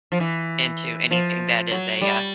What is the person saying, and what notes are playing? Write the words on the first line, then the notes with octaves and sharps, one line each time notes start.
into anything that is a, uh
F3
E3
F3
F#3
G3